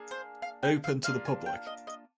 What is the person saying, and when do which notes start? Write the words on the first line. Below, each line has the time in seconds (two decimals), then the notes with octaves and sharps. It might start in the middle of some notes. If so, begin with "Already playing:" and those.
Open to the public.
Already playing: A#3 D4 G#4
0.11 C5
0.42 F5
0.63 G5
0.84 F5
1.04 A#3 D4 F4 F5
1.25 G#5
1.46 G5
1.67 D#5
1.87 D#5